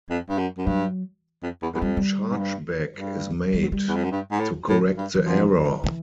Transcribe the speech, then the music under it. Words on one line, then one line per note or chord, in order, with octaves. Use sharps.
A chargeback is made to correct the error.
F2
G2
F#2
F#2
G2 F#3
F2
E2
E2
F2 G3
G3
G#2
G2
G2
G3
F#3
G3
E2
F2
F#2
G2
G#2
A2
A2 F#3
G2
E3
F#2 F3
E3